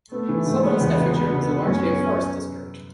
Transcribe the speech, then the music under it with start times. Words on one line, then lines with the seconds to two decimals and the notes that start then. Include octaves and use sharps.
Southern Staffordshire was largely a forest-district.
0.11 A3 B3
0.29 E3
0.46 G#2
0.63 G#3 B3
0.80 E2
0.97 C#3
1.14 G#3 B3
1.31 C#3
1.48 C#3
1.65 F#2 C#4
1.83 B3